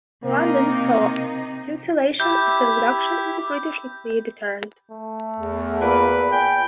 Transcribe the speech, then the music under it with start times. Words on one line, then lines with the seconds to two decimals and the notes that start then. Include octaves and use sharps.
London saw cancellation as a reduction in the British nuclear deterrent.
0.24 C3 A#3 D#4
2.20 E4 G4 E5 G6
4.91 A3
5.39 E2
5.81 A#3 F4 B4 D5 B5
6.32 G5 G#5